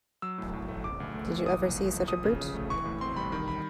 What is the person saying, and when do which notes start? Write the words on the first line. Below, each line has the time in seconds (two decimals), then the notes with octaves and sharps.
Did you ever see such a brute?
0.22 F#3 E6
0.38 A2
0.53 A2
0.68 A3
0.84 C#3 D6
1.00 D2
1.15 A3
1.30 E3
1.46 A#2 D#6
1.62 C2
1.77 A3
1.93 F3
2.08 F3 D#6
2.24 C#3
2.40 C#3
2.55 A3
2.70 E3 C#6
2.85 A2
3.01 C4 C6
3.17 G3 B5
3.32 D#3 B5
3.48 B5